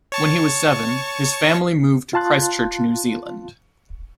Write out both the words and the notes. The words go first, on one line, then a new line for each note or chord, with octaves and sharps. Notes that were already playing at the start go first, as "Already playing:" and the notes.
When he was seven his family moved to Christchurch, New Zealand.
C#5 A5 C#6
F4 F5 A5 C6 F#6 A6